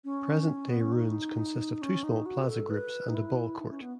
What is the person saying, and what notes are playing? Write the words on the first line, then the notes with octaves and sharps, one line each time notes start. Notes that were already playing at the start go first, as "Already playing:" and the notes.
Present-day ruins consist of two small plaza groups and a ballcourt.
C#4
B3
C#4
D#4
C#4
D#4
F#4
B4
A4
B4
D#4
E4
D#4
C#4
B3